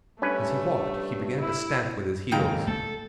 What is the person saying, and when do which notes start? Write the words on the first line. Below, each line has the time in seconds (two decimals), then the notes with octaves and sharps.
As he walked he began to stamp with his heels.
0.22 G2 A3 C#4 B4
1.39 E4
2.31 D#2 G#2 C#3 G5 A#5
2.68 A3 A4